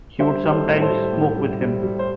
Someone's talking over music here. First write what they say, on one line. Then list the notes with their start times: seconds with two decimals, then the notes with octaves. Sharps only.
She would sometimes smoke with him.
0.19 G3 C5 E5
0.43 G3
0.51 A4 C5
0.66 A2
0.81 A4 C5
0.89 G3
1.12 A2
1.37 G3
1.60 G3
1.83 G3
1.99 C5